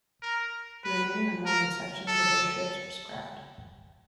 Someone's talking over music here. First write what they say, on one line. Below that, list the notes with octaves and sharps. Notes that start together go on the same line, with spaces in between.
The remaining unwanted sections of both ships were scrapped.
A#4
B4
A#4
A4